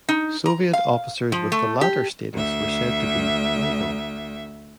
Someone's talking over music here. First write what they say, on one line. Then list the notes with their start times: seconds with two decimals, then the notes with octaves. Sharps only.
Soviet officers with the latter status were said to be "legal."
0.09 D#4
0.46 A#5
0.73 F5
1.32 F3
1.52 A3
1.81 G4
2.33 D2 E5